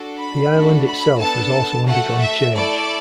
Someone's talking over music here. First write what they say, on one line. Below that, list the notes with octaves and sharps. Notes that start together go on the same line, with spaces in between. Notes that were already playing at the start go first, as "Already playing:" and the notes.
The Island itself has also undergone change.
Already playing: D4 F#4 A4
B5
A3 D4 F#4 A4
B5
B3 D4 A4 A5
A3 F#4 A4 F#5
E5
A3 E4 A4 D5